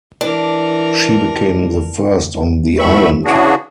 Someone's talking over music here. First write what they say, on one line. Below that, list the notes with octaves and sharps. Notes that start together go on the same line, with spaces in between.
She became the first on the island.
E3 D4 A#4
E2 E3 E5 B5 C#6
C#3 E3 D4 F#4 G#4